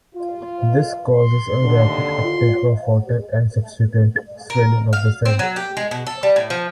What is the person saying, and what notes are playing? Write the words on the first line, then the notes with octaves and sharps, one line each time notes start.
This causes a rapid uptake of water and subsequent swelling of the cells.
F4
C6
D#2 D3
F4
A#4
F5
C4
F#3
G4
G#3
B2
A4
G3
A2
F3